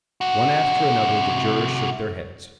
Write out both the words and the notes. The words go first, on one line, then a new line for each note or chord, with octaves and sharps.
One after another the jurors shook their heads.
C3 F#4